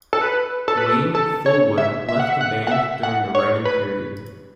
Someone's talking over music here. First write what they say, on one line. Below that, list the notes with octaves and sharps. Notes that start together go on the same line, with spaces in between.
Wayne Fullwood left the band during the writing period.
A4
B4
A4
B4
A4
A4
C#5
E5
E5
F#5
E5
F#5
F#5
E5
F#5
C#5
B4